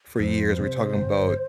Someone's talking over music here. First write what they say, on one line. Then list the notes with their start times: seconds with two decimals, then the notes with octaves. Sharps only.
for years, we're talking 'bout
0.20 F2 C5
0.59 C3
0.97 G1